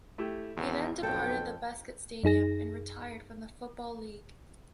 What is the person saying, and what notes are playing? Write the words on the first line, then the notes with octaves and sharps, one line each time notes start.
He then departed the Bescot Stadium and retired from the Football League.
A3 E4 G4
G#1 E2 B2
B1 F2 A4 G5
F#2 D#4 G#4 A#6